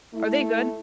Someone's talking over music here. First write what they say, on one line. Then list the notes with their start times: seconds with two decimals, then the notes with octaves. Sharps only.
Are they good?
0.14 A3 E4